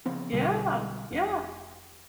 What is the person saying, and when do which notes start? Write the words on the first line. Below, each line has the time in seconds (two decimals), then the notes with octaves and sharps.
Yeah, yeah.
0.06 C#3 F3 B3 C4
0.32 B1 B2 D3 G3
1.11 F1